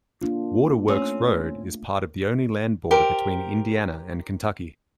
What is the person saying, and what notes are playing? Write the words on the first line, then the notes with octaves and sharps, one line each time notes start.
Waterworks Road is part of the only land border between Indiana and Kentucky.
A#3 D4 F4
A3 C4 C#4
G4 A#4 C5